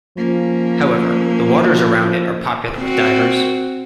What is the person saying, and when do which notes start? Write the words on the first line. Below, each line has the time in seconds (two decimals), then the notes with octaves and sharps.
However, the waters around it are popular with divers.
0.18 F3 A#3 C#4
2.77 C4 F#4